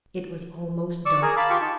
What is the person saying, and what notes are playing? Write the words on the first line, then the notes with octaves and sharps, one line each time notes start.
It was almost dark.
D5 C#6 D6 E6
G#4 A#4 G#5
F5 A5 B5 D6 E6
F4 G4 G5 C#6
D#4 A5